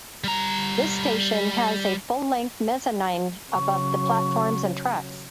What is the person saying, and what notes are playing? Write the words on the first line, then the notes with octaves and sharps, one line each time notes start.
This station has a full length mezzanine above the platforms and tracks.
G3 A#5
C#3 F#3 C#6